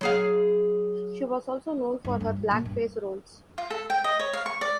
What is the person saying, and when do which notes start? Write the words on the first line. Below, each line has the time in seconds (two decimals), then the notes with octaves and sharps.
She was also known for her blackface roles.
0.01 F#3 G#4 F5
2.05 G2
2.20 G2
2.36 D1
2.51 A#2
2.65 G2
3.58 F4
3.70 A4
3.90 G5
4.04 D#5
4.19 C#5
4.33 F5
4.46 C#6
4.61 D5